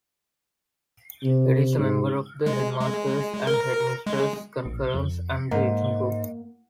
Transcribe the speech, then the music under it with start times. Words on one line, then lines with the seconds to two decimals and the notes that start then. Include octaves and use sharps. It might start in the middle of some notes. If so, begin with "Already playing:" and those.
It is a member of the Headmasters' and Headmistresses' Conference and the Eton Group.
1.23 C3
1.78 G#2
2.46 G#3
2.80 G#3
3.47 A#4
4.06 G#3
4.66 A#1
4.94 F2
5.51 G#2 A#3